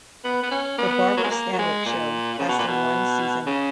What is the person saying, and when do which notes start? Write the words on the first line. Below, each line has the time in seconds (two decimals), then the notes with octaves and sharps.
"The Barbara Stanwyck Show" lasted one season.
0.24 B3
0.43 B3
0.51 C#4
0.78 B3
1.17 F#3
1.24 G#3
1.31 A#3
1.53 F#3
1.58 G#3
1.85 A#2
2.39 C#3
2.48 B2
2.59 A#2
2.67 B2
3.46 C#3